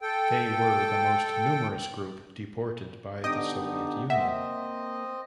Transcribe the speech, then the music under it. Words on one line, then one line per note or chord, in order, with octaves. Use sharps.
They were the most numerous group deported by the Soviet Union.
A4 G5
D3 B3 D4 D#4 G4 D#5 G5 D#6
A#3 C4 D#5 E5 F#5